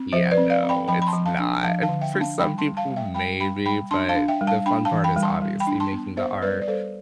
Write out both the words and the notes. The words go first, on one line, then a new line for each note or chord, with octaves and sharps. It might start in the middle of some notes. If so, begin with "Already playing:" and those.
Yeah, no, it's not. For some people, maybe, but the fun part is obviously making the art,
Already playing: C4
F3 C5 E5
B4 D5
C4
D5 F5
C4
G5 B5
F3 G5 B5
B5
A5 C6
F3
F5 A5
D4
F3 F5 A5
F5 A5
D3
E5 G5
D4
F5 A5
G3 G5 B5
A5 C6
G3
F5 A5
G3
E5 G5
G3 G5 B5
G3 G5 B5
G3 G5 B5
D4 A5 C6
F5 A5
D4
E5 G5
G3
F5 A5
D4 G5 B5
F5 A5
E3
G5 B5
G3
A5 C6
G3
G5 B5
D4
A5 C6
B3
B3 C5 E5
G3 B4 D5
D5
G3 A4 C5